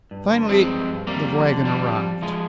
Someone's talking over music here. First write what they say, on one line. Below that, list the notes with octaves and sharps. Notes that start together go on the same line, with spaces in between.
Finally the wagon arrived.
G2
D3
F3 G#3 C4
G2
G2
F2 G3 A#3
F2
D3
F3 G3
F2
F2
F3 G#3